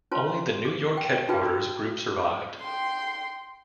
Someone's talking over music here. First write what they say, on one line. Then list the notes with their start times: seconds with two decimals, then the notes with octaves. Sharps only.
Only the New York headquarters group survived.
0.11 C#4 F4 B4 C#5 A5 C6
0.65 D6
0.97 G5
1.29 D#4 F4 F#4 G#4 B4 G5
2.61 G5 C6